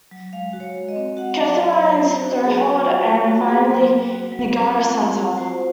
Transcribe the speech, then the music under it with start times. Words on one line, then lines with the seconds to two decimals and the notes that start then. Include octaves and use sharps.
Catharines-Thorold and finally Niagara Centre.
0.11 F#3
0.33 G#3 F5
0.53 F#4
0.60 C#5
0.74 G#3
0.89 D#5
0.96 C4
1.17 F#4 F#5
1.32 F5
1.38 F#3
1.45 D#5
1.59 F#3 D#5
1.73 C#5
1.80 F#3
2.01 C4 C5
2.22 F#4
2.43 F#3 G#4
2.64 F#4
2.85 F4 F#4
3.06 A#3 C#5
3.28 A#3 F#4
3.42 F#4
3.48 A#3 G#4
3.69 F#3 A#4
3.91 F#3
4.12 F#4
4.32 F#3
4.53 C4
4.75 F4
4.96 C4
5.17 F4
5.38 F#4 C5